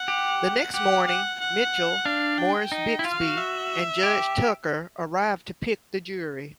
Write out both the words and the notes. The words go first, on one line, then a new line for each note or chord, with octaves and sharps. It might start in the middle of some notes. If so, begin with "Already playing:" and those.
The next morning, Mitchell, Morris Bixby, and Judge Tucker arrive to pick the jury.
Already playing: F#5
G4
G4 F#5
F#5
F#5
D4 F5
G5
D#4
E4
F4 F5
F#4
E5
G4